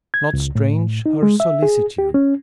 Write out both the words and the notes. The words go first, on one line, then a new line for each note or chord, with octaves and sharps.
Not strange her solicitude.
G#6
C#2
A2
D#4
G#3
E5
G#4
G4
C#4